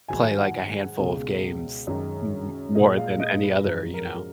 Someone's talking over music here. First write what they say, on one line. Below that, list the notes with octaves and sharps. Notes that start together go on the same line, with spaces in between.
play, like, a handful of games, m more than any other, you know.
G#2 D#3 F#3 G#5
F#5
C#2 B2 G#3
F#2 D#3 G#3
A#2 G#3 D#5
F5
D#5
B4
F#2 F3 G#3
A#4